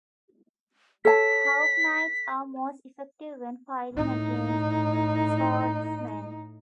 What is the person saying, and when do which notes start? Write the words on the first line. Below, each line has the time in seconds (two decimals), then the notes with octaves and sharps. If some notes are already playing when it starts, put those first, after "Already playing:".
Hawknights are most effective when fighting against Swordsmen.
1.05 A4 C#5 A5 B6
3.94 A2 D#4